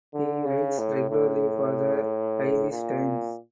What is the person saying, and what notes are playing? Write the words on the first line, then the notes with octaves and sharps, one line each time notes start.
He writes regularly for The Irish Times.
D3
C#3
A2
A2
A#2